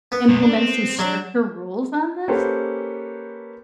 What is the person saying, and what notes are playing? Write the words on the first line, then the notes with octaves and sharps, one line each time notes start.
implement some stricter rules on this?
B3
F#2 B2
D4
C4
F#3 D4
A#3 C#4 G4 A4 B4 C5